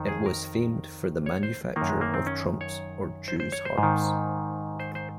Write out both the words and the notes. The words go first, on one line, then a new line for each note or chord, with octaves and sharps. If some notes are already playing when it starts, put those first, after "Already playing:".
It was famed for the manufacture of trumps or Jew's harps.
Already playing: F2 D#3
G#4
A#4
C#5
C5
D#3 A#3
F#2
G#3
A#3
C4
C#4
C#5
C5
C5
C#5
C5
G#2
D#3
C5
C5